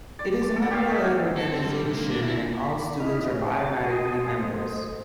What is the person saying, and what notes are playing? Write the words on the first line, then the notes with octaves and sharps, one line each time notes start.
It is a member-led organisation and all students are automatically members.
D5
D6
A4
G4 C#5 F5
A3 D#4 A4
A4
C4
G3
C3
A#3
D4
E4
D5 B5
D#4 E4 D#5 B5 F6
A2 G#4 C#5
A6
F#4 D#5 G#5 A5 C6 D#6
A3 C5 D#5